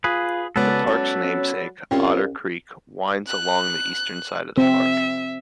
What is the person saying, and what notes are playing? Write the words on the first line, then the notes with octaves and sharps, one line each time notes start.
The park's namesake, Otter Creek, winds along the eastern side of the park.
F4 G#4 B4
C#3 F#3 G#3 A#3 B3 A4 B4 D5
F#3 B3 C#4
C2 C4 C#4 F4 C#5 G5
F#6
C4 E5